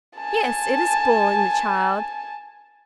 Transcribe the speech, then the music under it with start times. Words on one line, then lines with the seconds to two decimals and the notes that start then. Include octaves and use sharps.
'Yes; it is spoiling the child.
0.17 G#5 A5